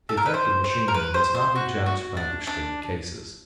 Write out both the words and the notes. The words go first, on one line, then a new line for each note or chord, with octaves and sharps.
The effect of machinery must not be judged by the extreme cases.
A4
A#4
B4
C5
C5
A#4
B4
C5
C5
F#4
F#4
D4
D4